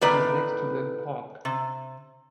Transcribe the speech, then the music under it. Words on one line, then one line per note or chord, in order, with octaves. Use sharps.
It is next to Linn Park.
A2 D#3 B3 B4 D5 A#5
C3